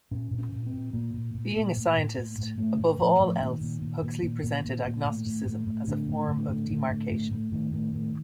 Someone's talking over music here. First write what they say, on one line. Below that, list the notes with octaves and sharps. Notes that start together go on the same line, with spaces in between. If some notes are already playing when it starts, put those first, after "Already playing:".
Being a scientist, above all else, Huxley presented agnosticism as a form of demarcation.
A#2 C#4
A#2
C#4
A#2
C4
A#2
A#2 A#3
A#2
A#2
A#2
A2
A2
A2
A2
A2 A3
A2
A2 F3
A2 F3
A#2 D#3
A#2
A#2
A#2
A#2
A#2
A#2
A#2
A2
A2
A2
A2
A2 D3
A2
A2
A2
A2
A2
A2
A2
A2 D#3
A2
A2